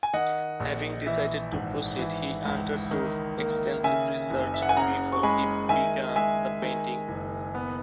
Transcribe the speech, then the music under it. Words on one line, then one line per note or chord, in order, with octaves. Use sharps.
Having decided to proceed, he undertook extensive research before he began the painting.
G#5
D#3 D#5 F#5
A#1
E3 E5
G#1
E3
C#2
D#3
A#3
C#3 E5 G#5
F#1
E5
F#5
G#5
C#3 F#5 A#5
C#6
G#3 G#5 B5
D#3 E5 G#5
G#3 E5 G#5
D#3
F#1
B3